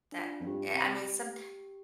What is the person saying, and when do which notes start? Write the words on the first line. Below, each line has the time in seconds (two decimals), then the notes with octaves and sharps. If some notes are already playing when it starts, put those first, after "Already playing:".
that eh, I mean, somet
0.12 D4
0.19 F4
0.40 F2
0.46 G2 G4
0.75 C3